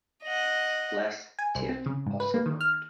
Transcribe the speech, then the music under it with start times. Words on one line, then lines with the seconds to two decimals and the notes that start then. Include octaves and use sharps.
LessTif also worked.
0.23 D#5 F#5
1.39 G#5
1.55 C2
1.69 C4
1.86 C#3
2.06 G#2
2.20 B4
2.34 A#3
2.46 D#3
2.61 F6